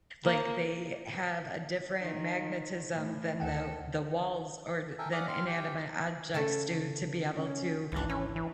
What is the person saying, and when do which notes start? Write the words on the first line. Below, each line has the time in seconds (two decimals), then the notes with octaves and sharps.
Like they have a different magnetism than the the walls or than inanimate objects do to be able to
0.25 A#3
2.02 D#3
2.92 A2
3.40 D2 A4 F#5 G5
4.98 A4 A#4 E5 G5 G#5
5.12 D5 F5 F#5 G#5 D6 D#6
5.28 C4 F5 C6 F6
5.47 G4 G5
6.34 C#3 A3 A4 A5
7.38 C#4
7.92 G#1 C#2 E3 D4
8.10 C#4 E4
8.36 E3